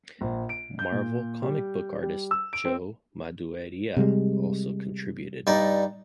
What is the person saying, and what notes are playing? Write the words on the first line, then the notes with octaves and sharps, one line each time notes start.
Marvel comic book artist Joe Madureira also contributed.
A#1
D7
G6
A#2
G3
G3
E6
D7
C4
C3 G3 G#3
G2 D#4 D5